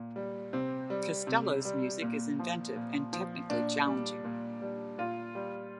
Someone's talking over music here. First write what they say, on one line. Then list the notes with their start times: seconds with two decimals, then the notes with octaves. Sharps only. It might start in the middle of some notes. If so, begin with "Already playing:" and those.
Castello's music is inventive and technically challenging.
Already playing: A#2
0.16 G3
0.53 C3 C4
0.90 G3
1.27 C3
1.65 G3
2.02 A#2
2.39 F3
2.76 A#2
3.13 F3
3.50 A#2 D4
3.87 G3
4.24 A#2
4.62 G3
4.98 A#2 F4
5.35 G3